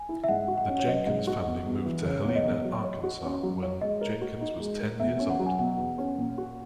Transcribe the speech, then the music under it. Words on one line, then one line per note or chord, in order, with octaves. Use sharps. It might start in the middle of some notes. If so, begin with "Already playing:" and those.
The Jenkins family moved to Helena, Arkansas, when Jenkins was ten years old.
Already playing: G#5
E4
E5
G#2 F#5
F#4
F#5
C#4
C#5
F#3 D#5
G#2
F#4
E2
E2
E3
C#3 C#5
E2 C#5
D#5
E2
F#3
C#5
F#4
C#4
F#3
C#5
G#3 D#5
A#4
F#4
D#4
G#3
A#4
E2 E5
C#4
F#5
F#3
G#5
B2 F#5
E2
C#4
A#2
F#4